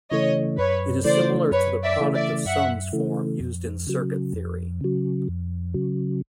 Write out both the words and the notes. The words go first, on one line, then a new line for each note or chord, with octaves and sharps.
It is similar to the product of sums form used in circuit theory.
C#3 E3 A3 C#5 D#5
F#2 B4 C#5
C#3 E3 A3 C5 D5
F#2 B4 C#5
D5 E5
C#3 E3 A3
D5 E5
F#2 E5 F#5
C#3 E3 A3
F2
C#3 F#3
F2
C#3 F#3
F2
C#3 F#3